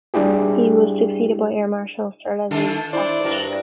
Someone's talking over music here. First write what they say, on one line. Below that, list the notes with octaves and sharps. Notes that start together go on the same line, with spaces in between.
He was succeeded by Air Marshal Sir Leslie Gossage.
G3 D4 E4 G4 G#4
D#3 D4 F4 A4
D4 E4 C5 D5
G2 D4 F#4 A#4